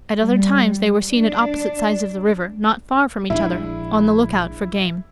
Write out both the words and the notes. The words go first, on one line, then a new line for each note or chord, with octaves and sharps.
At other times they were seen at opposite sides of the river, not far from each other, on the look out for game.
G3
D4
A#1 G#3 D4 E4